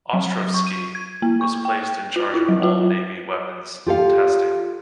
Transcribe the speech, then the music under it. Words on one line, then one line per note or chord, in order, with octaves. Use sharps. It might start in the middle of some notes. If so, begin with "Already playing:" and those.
Ostrovsky was placed in charge of all Navy weapons testing.
F#3
C#6
D#7
G#6
A#3
C#6
G5
F4
E4
F#3
F4
F4 G4 A4 F5